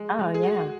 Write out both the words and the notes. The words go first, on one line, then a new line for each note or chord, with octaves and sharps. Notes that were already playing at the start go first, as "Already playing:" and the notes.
Oh, yeah.
Already playing: G#3
G#3
G#4
F#4